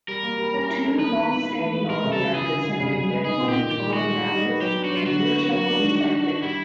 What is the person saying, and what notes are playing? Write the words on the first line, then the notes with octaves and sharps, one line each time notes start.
Two long-standing auto wreckers have been Medford Auto Wreckers and Gershow Recycling.
G3 A#4
A#3
G3
C#4
E4
A3
D#3 B4
E4
D#3
E4
E3
B3
G3 A#4
C#3
A4
C#3
E4 G#4
D3
D3
C#3
C#3
B3
D#4 G#4
A#2
G4
A#2
D#3 G4
G#3
F#4
G#3
G3
D#4
B3
F#3 G4
D4
F#4
F#3
F4
D3 F#4
B3
E4
F#3 F#4
D4
D#3
D4
D4
D4
G3 E4